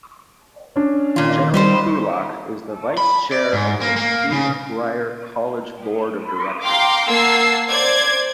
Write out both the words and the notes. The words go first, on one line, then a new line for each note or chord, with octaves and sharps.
General Krulak is the Vice Chair of the Sweet Briar College Board of Directors.
C#4 D4
A#2 D#3 F4
G3 D#4 G4 C5
B5
D5
G#2
A#3
A#3
C#3
F5 G5 A#5 C6 D6
A#3 F#5 A5 E6 G#6 C7
C5 D5 G#6